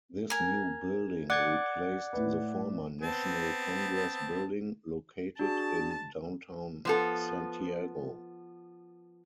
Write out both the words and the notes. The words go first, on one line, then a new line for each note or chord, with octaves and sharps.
This new building replaced the Former National Congress Building, located in downtown Santiago.
A#4 G#5
D5 F#5 D6 G#6 C#7
A2 B4
B3 C4 A5
D4 F#4 G#4 A5
F3 B3 A4